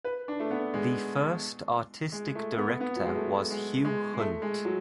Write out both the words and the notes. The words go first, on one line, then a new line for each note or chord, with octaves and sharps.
The first artistic director was Hugh Hunt.
B4
D4
A3
B3
G#3
G#3
A3
B3
B3
F#3
G#3
A3
G#3
G#3
G#3
A3
G#3
F#3